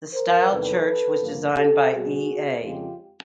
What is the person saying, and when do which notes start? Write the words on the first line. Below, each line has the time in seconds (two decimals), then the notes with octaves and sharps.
The style church was designed by E. A.
0.13 A#4 C5
0.49 E2 C3 D#3 G3 A4 B4
1.21 G2 D3 F3 A#3
1.56 G4 A4
1.92 B2 G3 C4 F#4 G#4
2.63 F2 C#3 F3 G#3 F4 G4